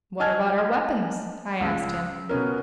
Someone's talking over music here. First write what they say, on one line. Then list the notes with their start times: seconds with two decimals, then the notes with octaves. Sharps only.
"What about our weapons?" I asked him.
0.20 D#5 G#5 A5 F6 G#6
1.60 C#2
2.29 B2 B3 C#4 A#4